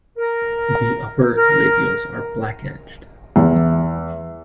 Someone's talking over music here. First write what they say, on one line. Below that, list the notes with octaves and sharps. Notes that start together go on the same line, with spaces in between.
The upper labials are black-edged.
A#4
A#4
E2